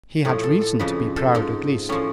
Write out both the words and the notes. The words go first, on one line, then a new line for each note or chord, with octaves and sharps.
He had reason to be proud, at least.
A2 F3 G#4
A4
A4
F2 C#3 F3 B4
A4
G#2 F3
A2 F3 C#4